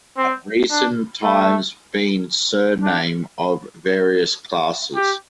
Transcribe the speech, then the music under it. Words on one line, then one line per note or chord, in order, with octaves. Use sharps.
At recent times been surname of various classes.
C4
D4
A3
D4
G4